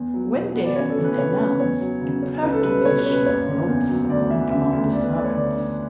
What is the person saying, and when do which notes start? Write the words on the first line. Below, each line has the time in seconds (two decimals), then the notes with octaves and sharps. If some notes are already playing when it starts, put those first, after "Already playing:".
When they had been announced a perturbation was noticeable among the servants.
Already playing: E2
0.14 F#3
0.34 B2
0.55 B3
0.65 D5
0.76 F#2 C#5
0.90 A4
0.98 E3
1.04 B4
1.18 C#3 C#5
1.32 B4
1.39 F#2
1.60 E2 C#5
1.80 F#3
2.01 C#3
2.22 C#4
2.43 C#2 B4
2.52 A4
2.63 G3 B4
2.85 B2 C#5
2.98 B4
3.05 C#4
3.13 B4
3.26 F#1 C#5
3.47 D3
3.68 E2
3.89 F#3
4.10 D2 D5
4.30 E3 E5
4.51 C#3 E5
4.72 D2
4.93 E2 D5
5.04 B4
5.14 A3 D5
5.24 C#5
5.35 D3 D5
5.56 D4